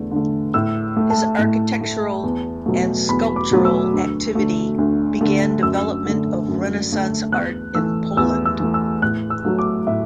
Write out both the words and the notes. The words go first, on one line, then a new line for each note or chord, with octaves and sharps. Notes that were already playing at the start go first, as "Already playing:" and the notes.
His architectural and sculptural activity began development of renaissance art in Poland.
Already playing: E2 D3 A3
D3 A3
A2 E6
A3
A5
A2
A3
E2
B2 F#3 A3
E2 B5
D6
B2 F#3 A3
E6
D2
D3 A3
D2
D3 A3
F#2 E6
D3 A3
F#2
D3 A3
E2 F#6
E3 A3 E6
E2 E6
E6
E3 A3
E6
A2 F#6
E6
F#3 A3
D6
A2 E5